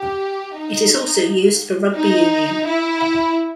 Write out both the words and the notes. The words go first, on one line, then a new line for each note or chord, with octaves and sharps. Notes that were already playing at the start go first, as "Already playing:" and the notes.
It is also used for Rugby union.
Already playing: G4
D#4
D#4
E4